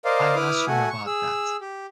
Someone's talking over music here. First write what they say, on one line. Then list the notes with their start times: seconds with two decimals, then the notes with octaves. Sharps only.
I'm not sure about that.
0.05 A#4 C5 D5 D#5 F5
0.36 E4 B4 D6 D#6 F6
0.67 A3 F#4 F#5 G#5
0.89 C#6
1.06 G#4 E6
1.61 G4